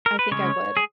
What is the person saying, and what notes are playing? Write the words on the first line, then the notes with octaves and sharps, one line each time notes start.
I think I would.
A#4
B4
C#3 G#3 C#4 C#5
G#4